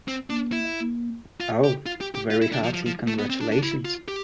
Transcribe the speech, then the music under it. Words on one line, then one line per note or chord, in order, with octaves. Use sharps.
Oh, very hearty congratulations.
C4
D4
E4
F4
G4
F4
G4
G4
F4
E4
D4
F3
F3
F3
A3
B3
C4
D4
D4
E4
F4
G4